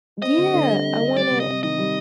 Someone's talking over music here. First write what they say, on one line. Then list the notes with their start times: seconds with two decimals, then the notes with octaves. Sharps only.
Yeah, I wanna
0.22 C4 D#5
0.38 D3
0.54 D3
0.69 G3
0.85 C4
1.01 D3
1.16 G3 D5
1.31 C3
1.40 D#5
1.47 C3
1.63 D#3 D#5
1.78 G3